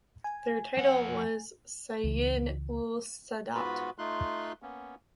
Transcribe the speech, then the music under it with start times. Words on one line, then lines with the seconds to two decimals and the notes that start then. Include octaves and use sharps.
Their title was Sayyid ul Sadaat.
0.24 G#5
0.77 F2 F#5
2.04 C#2 E3
3.55 G#2 B3 F4 F#4 B4 B5
3.98 A3 D#4 F4 C6 F#6
4.62 A#3 B3 C#4